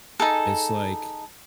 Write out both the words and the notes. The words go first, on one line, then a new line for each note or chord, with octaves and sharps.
it's like,
D#4 G#4 A4